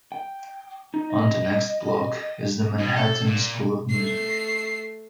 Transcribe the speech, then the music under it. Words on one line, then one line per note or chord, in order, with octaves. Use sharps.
On the next block is the Manhattan School of Music.
G5
D#4
D#5
B2
A4
A#2
A3 C7